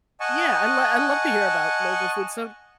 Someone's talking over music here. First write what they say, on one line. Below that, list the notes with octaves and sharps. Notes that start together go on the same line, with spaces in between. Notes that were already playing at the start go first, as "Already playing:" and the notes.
Yeah, I lo I love to hear about local food, so
D#5 F#5 G#5 A5 C#6